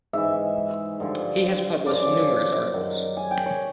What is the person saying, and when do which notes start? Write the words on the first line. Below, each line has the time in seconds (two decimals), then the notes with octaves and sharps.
He has published numerous articles.
0.13 G#2 E3 E5
1.00 G2 D3 F3
1.86 F#2 C#3 F3 D5
2.73 F#2 D#3 F#3
3.17 G#5
3.31 G5
3.46 C#5